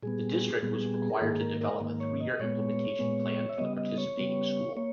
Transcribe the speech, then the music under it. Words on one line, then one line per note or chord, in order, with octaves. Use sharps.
The district was required to develop a three-year implementation plan for the participating school.
A#2 G3 B3 G#4
A#2 G3 B3
A#4
G#2 D#3 A#3 G#4
A#4
A#4
G#2 D#3 A#3
C#5
D#5
A#2 G#3 B3 C#5
A#2 G#3 B3
E5
C#3 G3 B3 D#5
D#5
C#5
C#3 G3 B3
A#3 C#5